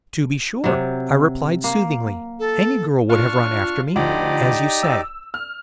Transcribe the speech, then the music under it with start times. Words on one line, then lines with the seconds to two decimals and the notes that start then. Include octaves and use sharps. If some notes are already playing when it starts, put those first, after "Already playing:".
'To be sure,' I replied soothingly, 'any girl would have run after me, as you say.'
0.64 C3 F#3
1.64 A#3
2.39 A4
3.10 D4 F4 C#6 F6
3.96 D2 F3 D#4 G4 D5
4.83 E6
5.34 F6